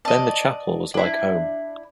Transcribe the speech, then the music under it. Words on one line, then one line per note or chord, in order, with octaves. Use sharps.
Then the chapel was like home.
D5 D#5 A5
D4 E4